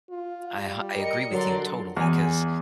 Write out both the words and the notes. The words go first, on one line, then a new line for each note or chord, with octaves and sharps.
I h I agree with you totally 'cause,
F4
G3
A#4 D#5 C#7
D3 F#3 A#4 D5 C6
E2 G#5